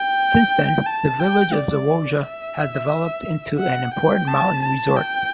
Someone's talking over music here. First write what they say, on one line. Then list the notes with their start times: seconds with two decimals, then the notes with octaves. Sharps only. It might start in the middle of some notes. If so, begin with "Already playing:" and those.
Since then the village of Zawoja has developed into an important mountain resort.
Already playing: G5
0.86 A5
1.19 G5
1.54 D5
2.23 E5
3.60 F#5
3.94 G5
4.28 A5
4.63 A5
4.97 G5